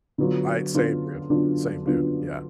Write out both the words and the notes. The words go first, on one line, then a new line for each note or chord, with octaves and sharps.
I same, dude. Same, dude, yeah.
D3 F#3 B3 D4 F4
D3 F#3 B3 D4 F4
D3 F#3 B3 D4 F4
D3 F#3 B3 D4 F4